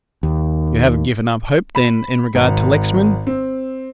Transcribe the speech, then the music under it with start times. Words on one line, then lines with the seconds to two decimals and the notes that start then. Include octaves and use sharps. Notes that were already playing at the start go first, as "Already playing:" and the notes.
"You haven't given up hope, then, in regard to Lexman?"
0.23 D#2
1.75 B5
2.35 G#1
3.27 C4